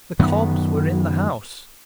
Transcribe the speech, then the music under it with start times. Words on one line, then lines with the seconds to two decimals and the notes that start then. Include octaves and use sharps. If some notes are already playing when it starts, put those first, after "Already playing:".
The cobs were in the house!
0.19 F#2 D#3 B3